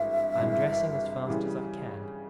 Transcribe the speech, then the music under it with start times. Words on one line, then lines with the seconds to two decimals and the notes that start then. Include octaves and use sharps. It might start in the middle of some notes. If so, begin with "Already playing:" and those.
I am dressing as fast as I can.
Already playing: G#1 G2 E3 G#3 E5
0.38 G#1 G2 E3 G#3
1.27 C#3 E3 G3